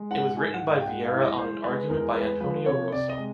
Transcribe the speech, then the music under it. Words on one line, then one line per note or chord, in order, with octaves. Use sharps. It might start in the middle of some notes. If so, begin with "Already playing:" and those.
It was written by Viera on an argument by Antonio Rosso.
Already playing: G#3
G#2 F#5
G#2 G#5
F#5
G#2
F5
G5
G#3 F#5
F5
E3
D#5
G#3 C5
G#3 B4
E2 A#4
G#3 B4
F3 B4
C3 C#5
C3 D5
D#5
G#3